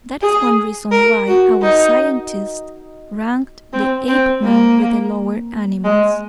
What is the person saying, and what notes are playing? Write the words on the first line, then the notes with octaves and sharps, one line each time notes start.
That is one reason why our scientists ranked the Apeman with the lower animals.
G#4
A#4
F#4
D#4
C4
C4
A#3
G#3